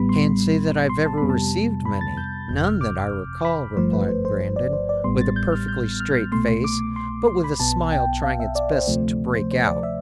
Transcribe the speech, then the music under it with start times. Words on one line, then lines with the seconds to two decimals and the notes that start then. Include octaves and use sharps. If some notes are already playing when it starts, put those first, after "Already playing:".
"I can't say that I have ever received many--none that I recall," replied Brandon, with a perfectly straight face, but with a smile trying its best to break out.
Already playing: A1 A2 G3 B3 B5
0.09 C6
0.89 C6
1.06 A5
1.18 F2 C3 G3 B3 B5
1.30 A5
1.85 B5
2.01 A6
2.17 G6
2.49 G1 F2 C3 G6
2.65 F6
2.81 D6
3.45 B5
3.77 G1 G2 F3 A3 C5
3.93 B4
4.09 C5
4.25 C5
4.41 C5
4.56 D5
4.73 C5
4.89 D5
5.04 A1 A2 G3 B3 C6
5.21 A6
5.36 G6
5.52 F6
5.68 G6
6.00 F6
6.32 C2 B2 A3 C6
6.48 C6
6.64 D6
6.96 C6
7.28 C6
7.44 B5
7.60 B1 B2 B3 A5
7.92 G5
8.24 F5
8.40 E5
8.55 D5
8.71 C5
8.87 D2 C3 F3 A3 C5
9.35 C5
9.51 C5
9.67 D5
9.83 E5